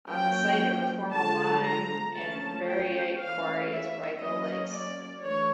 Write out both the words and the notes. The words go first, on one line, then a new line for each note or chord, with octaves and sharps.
On the site of a former lime and baryte quarry, is Raygill Lakes.
F#3 A#3 C#4 G5
D3 F3 G#3 A5
A#5
F3 A3 C#4 A5
G5
E3 A3 C#4 F5
E5
F#3 A#3 C#4 D#5
D5
E3 A3 D4 C#5